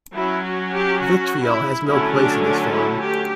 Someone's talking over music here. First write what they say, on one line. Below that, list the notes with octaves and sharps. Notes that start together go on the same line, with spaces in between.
Vitriol has no place in this forum.
F#3 C#4 E4
F#4
G4
F#4
E4
D3 F#3 A3 C#4 E4
D4
D4
E4
G4